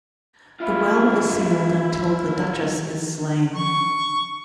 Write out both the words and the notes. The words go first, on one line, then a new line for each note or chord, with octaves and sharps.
The well is sealed until the Duchess is slain.
E4 F4
C#6